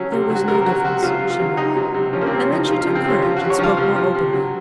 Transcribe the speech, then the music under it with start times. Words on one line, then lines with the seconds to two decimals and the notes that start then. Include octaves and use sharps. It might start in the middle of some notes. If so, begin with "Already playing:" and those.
"There was no difference," she murmured, and then she took courage and spoke more openly.
Already playing: F#3 C#4
0.12 C3
0.30 F#3 F#4
0.47 C3 A#4
0.66 F#3 F#4
0.84 C3 F#4
1.03 F#3 F4
1.21 C3
1.30 F4
1.40 F#3
1.57 C3 D#4
1.77 F#3
1.94 C3
2.13 F3 C#4
2.21 A#3
2.26 C4
2.32 C3
2.40 C#4
2.49 F3 D#4
2.68 C3 F4
2.81 F4
2.87 F3
2.95 C4
3.05 C3 C#4
3.22 F3 F4
3.36 C3 F#4
3.50 C#5
3.59 F3 F5
3.77 C3
3.95 F3
4.15 C3
4.33 F#3